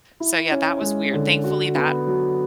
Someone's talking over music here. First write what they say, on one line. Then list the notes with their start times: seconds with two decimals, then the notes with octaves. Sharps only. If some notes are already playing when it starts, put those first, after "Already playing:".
So, yeah, that was weird. Thankfully, that
0.20 E4
0.51 C#4
0.81 G#3
1.13 D3
1.44 F#4
1.75 B3
2.07 F#3